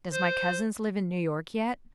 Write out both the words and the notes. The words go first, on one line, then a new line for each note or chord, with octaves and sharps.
Does my cousins live in New York yet?
C5